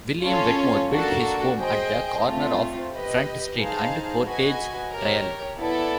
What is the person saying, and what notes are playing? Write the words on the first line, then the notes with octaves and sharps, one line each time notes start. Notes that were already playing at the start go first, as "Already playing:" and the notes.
William Wetmore built his home at the corner of Front Street and Portage Trail.
C#4 F4 A4 C#5
A#3 D4 F#4 A4
G#4 C5 D#5 G5
A3 C4 F4
G4 B4 D#5
D#4 G#4 C5 F5 A5
F#4 B4 D#5 G#5
G4 A#4 C#5
B3 E4 A4 D5